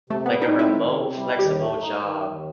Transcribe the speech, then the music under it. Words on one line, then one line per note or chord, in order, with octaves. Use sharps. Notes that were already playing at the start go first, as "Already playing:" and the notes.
like, a remote flexible job,
C3 A3
B3
G3
D#4
C4
E4
D#3
C3
G3
D#2 G4
A3
D#4
D#3
D#2